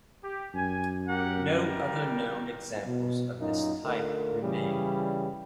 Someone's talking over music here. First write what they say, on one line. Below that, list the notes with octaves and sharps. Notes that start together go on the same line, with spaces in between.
No other known examples of this type remain.
G4
F#2 G#5
G4 A#4 F#5
G3 A#4
B2
F#2 A#2 A#3 D#4
D3 A3 F4 A#4
C#3 E3 G3